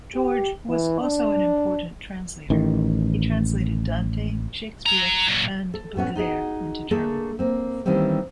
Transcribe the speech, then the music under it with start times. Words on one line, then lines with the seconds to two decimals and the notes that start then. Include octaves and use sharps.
George was also an important translator; he translated Dante, Shakespeare and Baudelaire into German.
0.15 G4
0.69 E3
1.01 D4
2.50 A1 D#3
4.86 F#3 A#5
5.29 A#2 F#3
5.74 A4
5.96 A2 B3 C#4 F#5
6.15 D#4 F#4 G#4 D#5
6.91 A3 A#3 D4 G#4 A4
7.39 A#3 C4
7.85 D#3 E3 G3 A#3 C4 C#4